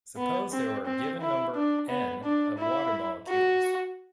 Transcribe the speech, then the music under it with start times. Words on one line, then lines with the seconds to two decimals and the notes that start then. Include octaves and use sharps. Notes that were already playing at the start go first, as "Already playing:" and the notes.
Suppose there are a given number "N" of water molecules.
0.17 B3
0.52 C4
0.86 C4
1.21 E4
1.55 D4
1.89 B3
2.24 D4
2.58 E4
3.28 F#4